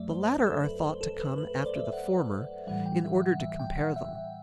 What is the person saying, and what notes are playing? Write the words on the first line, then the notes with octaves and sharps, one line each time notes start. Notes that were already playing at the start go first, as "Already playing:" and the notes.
The latter are thought to come after the former in order to compare them.
Already playing: F#2 F#3 A3 D5 E5
C5
A4
B4
C5
A4
B4
B4
C5
D5
E5
F#5
A2 E3 G3 F#5
G5
E5
F#5
E5
G5
F#5
E5